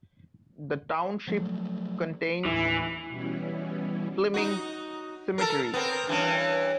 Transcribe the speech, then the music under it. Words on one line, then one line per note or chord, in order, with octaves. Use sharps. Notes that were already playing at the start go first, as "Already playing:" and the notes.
The township contains Fleming Cemetery.
F3 F#3 A3
D#2 A2 E3
B2 E3 G3 B3 C#4 E4
D#4 F#4
A4 A#4
B3 C4 A#4
G2 E3 C#4